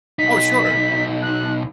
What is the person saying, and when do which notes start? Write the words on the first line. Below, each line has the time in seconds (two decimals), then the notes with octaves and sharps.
Oh, sure.
0.19 B1 D#4 B6
1.22 F#6